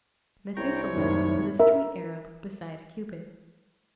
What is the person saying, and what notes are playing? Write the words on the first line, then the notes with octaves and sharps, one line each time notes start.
Methusalem is a street arab beside Cupid.
C2 C#5 G5 A#5
F#2 A2 D#3 F#3 A#3
A#4 E5